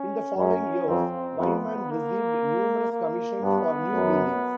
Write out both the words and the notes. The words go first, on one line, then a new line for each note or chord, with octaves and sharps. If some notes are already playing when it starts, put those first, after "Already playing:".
In the following years, Wyman received numerous commissions for new buildings.
Already playing: C#4
F#2 C#4
F2 C4
F2 B3
A#3
A#3
G2 B3
F#2